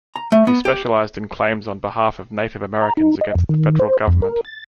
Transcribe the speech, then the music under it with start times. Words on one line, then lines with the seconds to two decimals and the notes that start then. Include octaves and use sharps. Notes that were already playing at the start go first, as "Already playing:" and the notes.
He specialized in claims on behalf of Native Americans against the federal government.
0.16 A#5
0.32 A3
0.47 B3
0.65 G4
2.81 A#5
2.97 D#4
3.21 D#5
3.35 F2
3.49 D#3
3.80 C5
4.08 F2
4.22 A#4
4.45 A6